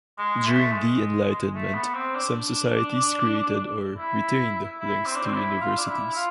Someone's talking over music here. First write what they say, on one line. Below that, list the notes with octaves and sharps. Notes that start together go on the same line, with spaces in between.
During the Enlightenment, some societies created or retained links to universities.
G#3
A3
G#3
A3
B3
C4
D4
E4
E4
C4
D4
C4
E4
F4
D4
E4
F4